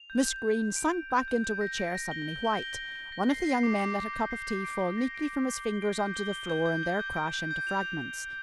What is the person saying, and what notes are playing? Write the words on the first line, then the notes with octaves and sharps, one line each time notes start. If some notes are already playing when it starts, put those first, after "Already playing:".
Miss Greene sank back into her chair, suddenly white. One of the young men let a cup of tea fall neatly from his fingers on to the floor and there crash into fragments.
Already playing: F7
G6
G6
G6
G6
D7
G6
G6
G6
G6
A#6
D7
A#6
G7
G7
G7
G7
G7
G7
A#6
C7
C7
D6
D6
D6
G6
C7
G6
D7
G7
A#6
D7
A#6
G7
G7
D7
G6
G7
G7
G6
G6
G7
G6
D7
G6
G6
F7